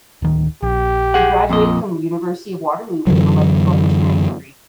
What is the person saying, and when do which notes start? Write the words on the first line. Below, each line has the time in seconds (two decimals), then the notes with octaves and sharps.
He graduated from the University of Waterloo with an electrical engineering degree.
0.22 D1 D#3
0.63 A#1 G4
1.14 G#4 F#5
1.50 F2 A#2 D#5
3.07 F#2 D3 E3 F#3